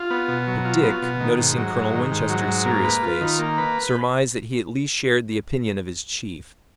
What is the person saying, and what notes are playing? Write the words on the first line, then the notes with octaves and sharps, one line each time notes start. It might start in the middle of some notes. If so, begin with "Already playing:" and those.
But Dick, noticing Colonel Winchester's serious face, surmised that he at least shared the opinion of his chief.
Already playing: F4
B3
B2
F#3
F4
B3
B2
D#3
G#2
F#3
G#2
D#3
G#2
F#3
G#2
A#3
B4
F4
D#3
A#3
B4